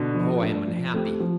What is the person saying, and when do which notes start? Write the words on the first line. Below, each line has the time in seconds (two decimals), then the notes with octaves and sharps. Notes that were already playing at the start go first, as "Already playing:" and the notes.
Oh, I am unhappy!
Already playing: B2 D3
0.14 F3
0.41 A3 D4 A4
0.68 F3
0.94 A3 C4 G4
1.20 F3